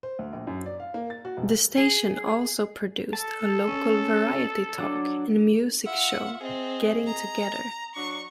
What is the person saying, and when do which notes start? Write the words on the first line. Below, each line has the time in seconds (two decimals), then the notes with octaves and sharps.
The station also produced a local variety talk and music show, "Getting Together".
0.03 C5
0.19 D2
0.33 A#1
0.47 F#2
0.66 D5
0.80 F5
0.94 A#3
1.10 A6
1.25 F#4
1.37 E1
1.78 G#4
3.13 A4 A5
3.68 C#4
4.78 F#3 D4
5.85 F4 E5 F#5
6.41 C4 G#4 D#5
7.07 A#5
7.95 F#3 D4 C#6